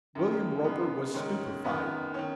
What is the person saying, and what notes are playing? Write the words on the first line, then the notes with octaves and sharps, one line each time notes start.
William Roper was stupefied.
F#2 D#3
F#2 C#3 B3
G#2 D#3 C#4
F#2 D#3 B3
D#3 C#4